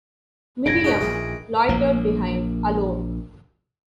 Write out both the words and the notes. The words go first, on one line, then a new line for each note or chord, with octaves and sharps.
Miriam loitered behind, alone.
E1 G2 C#3 G#6 A#6 D7
D#4 F#4 G#4
A#1 D#3 E3 G#4
A#1 A#3